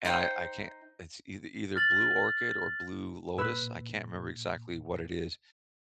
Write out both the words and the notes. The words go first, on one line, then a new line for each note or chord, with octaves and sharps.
And I I can't it's eith either Blue Orchid or Blue Lotus. I can't remember exactly what it is,
D#4 C5 G5
F6 A6 F#7
A#2 B4 E6